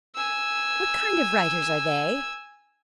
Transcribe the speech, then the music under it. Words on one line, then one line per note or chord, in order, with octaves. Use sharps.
What kind of writers are they?'
G#5 E6